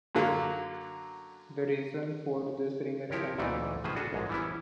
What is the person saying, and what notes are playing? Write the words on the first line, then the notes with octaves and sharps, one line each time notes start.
The reason for this remains unknown.
F#2 D3 F#3 A#3
F3 E4 G4 A#4 C#5
D2 A#2 E3 A3 D#4 D5
A2 C#3 F3 G#4 B4 C5
D4 F#4 G#4 A4
A#1 G#2 G#3
E3 G3 B3 C#4 E4